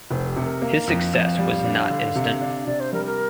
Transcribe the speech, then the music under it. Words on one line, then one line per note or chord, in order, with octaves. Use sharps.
His success was not instant.
F1 C5
G4
C3
A#4
A#3 F5
F2
F2
G3
D4
D3
C3
D4
C3 D5
C5
G3 A#4
A#4